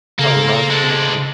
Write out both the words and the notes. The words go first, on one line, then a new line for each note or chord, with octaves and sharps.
Oh, raunchy, okay.
C#3 A#3 A4 C5
G#3 D4